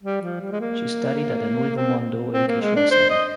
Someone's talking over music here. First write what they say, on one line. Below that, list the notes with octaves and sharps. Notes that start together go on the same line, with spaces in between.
She studied at the Nuevo Mundo Educational Center.
G3
F3
G3
G#3
A#3
C4
C4
A#3
G#3
D4
C5
D#5